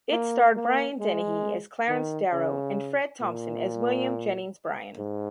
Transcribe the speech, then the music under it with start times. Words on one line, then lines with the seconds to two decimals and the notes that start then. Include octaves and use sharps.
It starred Brian Dennehy as Clarence Darrow and Fred Thompson as William Jennings Bryan.
0.11 A#3
0.55 A#3
1.00 G#3
1.88 D#3
2.33 C#3
3.21 A#2
4.98 G#2